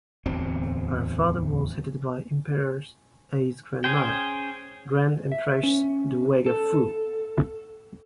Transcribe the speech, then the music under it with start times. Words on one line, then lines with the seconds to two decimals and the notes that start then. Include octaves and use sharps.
Her father was hated by Emperor Ai's grandmother Grand Empress Dowager Fu.
0.26 D1 E2 F#3 C4
3.84 C#4 G#4 C5 G5
5.32 E5
5.63 C#4
6.46 A4